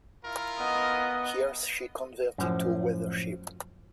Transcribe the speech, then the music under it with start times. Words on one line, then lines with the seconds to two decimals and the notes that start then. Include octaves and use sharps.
Here she converted to a weather ship.
0.24 E4 F4 A#4
0.60 B3 D#5
2.38 F#2 A2 F3 F#3